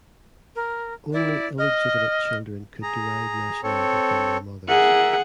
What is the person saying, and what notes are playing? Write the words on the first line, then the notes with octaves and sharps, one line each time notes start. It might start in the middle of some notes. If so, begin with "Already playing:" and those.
Only illegitimate children could derive nationality from their mothers.
A#4
E4 D5
D#5 F6
G#4 A#5
C4 A4 C#5
G#4 A#4 E5 F#5